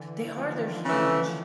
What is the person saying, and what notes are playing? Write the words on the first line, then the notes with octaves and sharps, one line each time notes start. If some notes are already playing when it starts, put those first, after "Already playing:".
They are, they're huge.
Already playing: D3 E3
D#3 F3
C#3 E3 A3